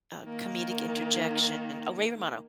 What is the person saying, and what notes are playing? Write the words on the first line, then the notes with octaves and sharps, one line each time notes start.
uh, comedic interjection. Oh, Ray Romano,
D#3 A#3